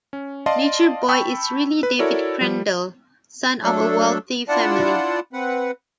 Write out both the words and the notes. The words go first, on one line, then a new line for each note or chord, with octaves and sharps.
Nature Boy is really David Crandall, son of a wealthy family.
C#4
D5 D#5 F5 A5 C6
G5 A5 B5 C#6 E6
B4
E4 F#4 A4 A#4 C#5 D5
F3 G3
F#3 A3 D4 A4
D4 E4 F4 D5 F#5 A5
C4 B4 F#5